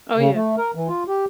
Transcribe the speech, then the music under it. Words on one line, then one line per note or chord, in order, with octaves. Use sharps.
Oh, yeah.
C#3
A3
A#4
E3
F4
G4